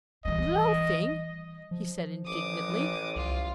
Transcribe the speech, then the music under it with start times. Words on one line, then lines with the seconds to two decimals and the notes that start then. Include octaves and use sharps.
"Loafing!" he said indignantly.
0.25 E3 G3 D#5
1.71 F3
2.26 A1 D6 D#6
3.16 C2 F4